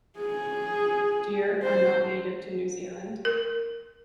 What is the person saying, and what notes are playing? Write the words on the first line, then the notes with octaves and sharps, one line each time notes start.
Deer are not native to New Zealand.
G#4
C5
A#4